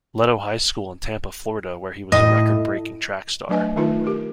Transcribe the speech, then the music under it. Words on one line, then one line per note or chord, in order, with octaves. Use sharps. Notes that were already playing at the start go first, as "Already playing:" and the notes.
Leto High School in Tampa, Florida where he was a record-breaking track star.
A2 D#5
F#3 A3 D4 B4 D#5 G#5
D#3 A3 D#4 F4 B4
G4 A#4